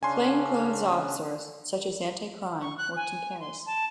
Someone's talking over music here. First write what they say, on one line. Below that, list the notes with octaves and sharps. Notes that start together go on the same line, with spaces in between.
Plain clothes officers, such as anti-crime, worked in pairs.
C#3 C#4 D4 G#5 C6
C#6
F#6
G#5
C6
A5